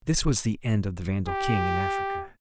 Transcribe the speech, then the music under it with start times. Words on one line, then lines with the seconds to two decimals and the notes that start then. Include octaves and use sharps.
This was the end of the Vandal king in Africa.
1.28 G4